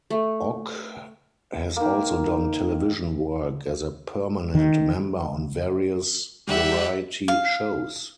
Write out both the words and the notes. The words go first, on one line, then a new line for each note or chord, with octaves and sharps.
Ock has also done television work as a permanent member on various variety shows.
A3
D#3 A#3
D#3
G3 G4 E5 F#5
F5